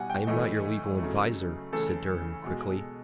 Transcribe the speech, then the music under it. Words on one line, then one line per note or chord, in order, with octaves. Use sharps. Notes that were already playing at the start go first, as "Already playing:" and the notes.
"I am not your legal adviser," said Durham, quickly.
Already playing: B2 G3 F#5 G#5
G5
A2 E3 A3 D#5
C#3 F#3 A3
C#3 E3 A3 A4
B2 G#3